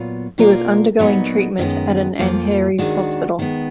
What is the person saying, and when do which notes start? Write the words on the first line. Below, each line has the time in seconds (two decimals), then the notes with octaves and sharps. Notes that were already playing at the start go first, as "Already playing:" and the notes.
He was undergoing treatment at an Andheri hospital.
Already playing: A#2 F#3 B3 F4
0.38 B2 A#3 F4 A#4 D5
0.99 A#2 F#3 B3 D#4 F#4
1.58 F#2 D#3 G#3 B3
2.19 F2 F3 A#3
2.78 D#2 D#3 G#3 D4 F#4
3.39 D#3 G#3 B3